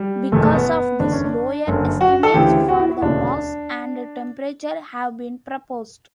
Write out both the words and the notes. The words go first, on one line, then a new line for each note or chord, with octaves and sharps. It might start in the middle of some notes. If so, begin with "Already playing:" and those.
Because of this, lower estimates for the mass and temperature have been proposed.
Already playing: G3
F#1 E2 B2 A3
A3
B3
F#1 E2 D3 D4
C#4
D4
F#1 F#2 D3
F#4
A4
D2 C#3 E3 G4
F#4
E4
E4
E1 D2 C#3 D4